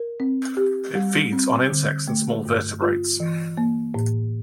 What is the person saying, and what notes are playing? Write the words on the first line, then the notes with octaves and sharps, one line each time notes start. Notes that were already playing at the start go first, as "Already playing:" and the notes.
It feeds on insects and small vertebrates.
Already playing: A#4
C4
G4
G3
C4
D3
A3
G2
F4
E3
A#3
A2